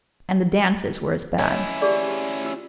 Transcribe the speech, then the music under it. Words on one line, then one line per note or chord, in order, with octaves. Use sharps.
And the dances were as bad.
C#4 E4 C#5 D#5 E5
G4 G#4 D5
F4 E6